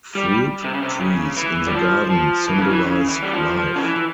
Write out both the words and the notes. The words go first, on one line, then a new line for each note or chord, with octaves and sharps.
Fruit trees in the garden symbolize life.
G3
C3
C#3
C3
C#3
E3
G3
F3
F3
E3
C#3
E3
C#3
E3
G3
F3
F3
C#3
E3